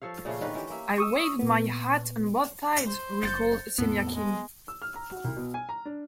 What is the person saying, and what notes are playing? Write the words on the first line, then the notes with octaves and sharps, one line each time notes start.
"I waved my hat on both sides," recalled Semyakin.
F3 A4 C#5 F5
A#2 C#3 A3 F4
D3 D#3 C#4 B4
E3 C#4 G4
A#3 E5
C#6 D#6 E6
A#2 B3
C5
F#1 G6 A6 C#7
E2 A2 B3 C4 A4
G#3
E6
F6
A#5
F#4
C2
B2
G#5
A#5
D4